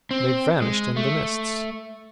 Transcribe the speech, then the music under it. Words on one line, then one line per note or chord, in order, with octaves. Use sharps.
They vanished in the mists.
C4
G#3
A3